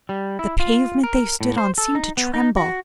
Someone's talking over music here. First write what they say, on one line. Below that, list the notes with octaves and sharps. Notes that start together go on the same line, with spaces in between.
The pavement they stood on seemed to tremble.
G3
E4
F4
A#4
A2
C5
A4
D#4
B3
D#4
F#4